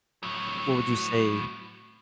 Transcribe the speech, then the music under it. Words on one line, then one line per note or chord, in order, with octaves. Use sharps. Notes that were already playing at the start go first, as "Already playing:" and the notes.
What would you say
A2 F#3